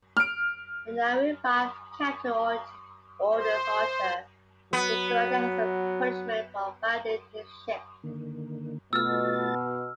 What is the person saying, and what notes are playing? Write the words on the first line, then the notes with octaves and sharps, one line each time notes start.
The now-revived captain orders Archer to surrender as punishment for violating his ship.
F6 D7
C5
F#3 B3
D3 D#3 A#3
B2 A3 F4 E6 F6 A6